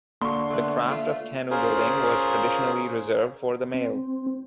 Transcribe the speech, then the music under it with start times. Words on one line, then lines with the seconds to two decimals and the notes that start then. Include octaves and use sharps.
The craft of Canoe building was traditionally reserved for the male.
0.21 D3 A#3 C6 C#6
0.50 A3 B3
0.90 A3 F4
1.50 C#4 F4 G#4 A#4 C5
3.74 C4